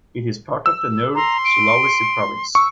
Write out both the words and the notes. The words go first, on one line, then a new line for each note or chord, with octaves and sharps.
It is part of the North Sulawesi province.
E6
A#5 C6
D7
C#6 E6